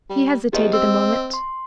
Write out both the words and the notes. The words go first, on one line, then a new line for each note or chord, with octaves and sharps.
He hesitated a moment.
G3
E2 G4 D#5
C4 D#5 E6
C6